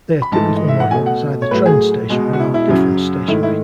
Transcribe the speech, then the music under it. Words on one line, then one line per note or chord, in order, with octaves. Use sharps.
They are typically modelled as either trend stationary or difference stationary.
B5
G#2 E3 A3 A5
D#5
E5
F#5
B2 A3 G#5
F#5
C#5
A2 F#3 A3 B4
G#4
B2 G#3
F#4
E4
E4
F#2 C#3 F#3
G#2 D#3 A3 E4
E4